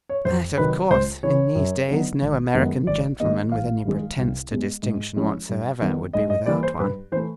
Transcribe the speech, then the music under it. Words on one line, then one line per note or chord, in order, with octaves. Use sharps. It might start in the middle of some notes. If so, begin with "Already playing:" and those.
But, of course, in these days no American gentleman with any pretence to distinction whatsoever would be without one.
C#5
F2 C5
C3 D#3 F#3 B4
C#2 C5
C#3 E3 C#5
F#2
D3 F#3 B3 D#4
G#1
F#2 D#3 G#3 B3
G#1 D5
G2 D#3 G3 A#3 D#5
A1 F5
G2 D#3 G#3
C2
B2 G#3
G#2
F3 G#3 C#4 E4
G2
D#3 G3 B3
G#2 D#5
D#5
E3 G3 A#3 D5
C5
G2 B4
E3 A3 C5